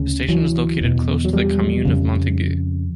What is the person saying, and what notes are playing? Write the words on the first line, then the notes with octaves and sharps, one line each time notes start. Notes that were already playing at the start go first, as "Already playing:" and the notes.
The station is located close to the commune of Montaigu.
Already playing: D2 C#3
E3 F#3
E2 B2
F#3
F3 G3
F2 C#3